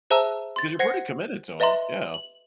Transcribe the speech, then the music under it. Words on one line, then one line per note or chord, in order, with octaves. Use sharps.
'Cause you're pretty committed to 'em, yeah.
G#4 C5 E5 A5 A#5 E6
C6 A6
C5 F#5 G#6 A#6 C7 C#7
B4 D#5 E5 A#5 C6
F#7